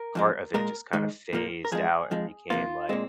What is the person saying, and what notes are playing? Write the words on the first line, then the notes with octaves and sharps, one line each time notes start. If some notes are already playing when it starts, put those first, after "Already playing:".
part of it just kinda phased out and became like,
Already playing: A#4
F2 F3 G#3
A#2 G#3 A#4
G#2 D#3 G#3
A#2 F3 A#3
A#4
F2 F3 G#3 G#4
F2 F3 G#3
C3 F3 A#3 F4
A#2 G#3 C4